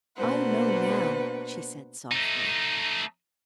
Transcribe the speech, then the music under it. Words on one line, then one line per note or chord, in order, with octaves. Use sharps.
"I know now," she said, softly.
B2 A#3 D4 B4 C5 F#5
A3 D#4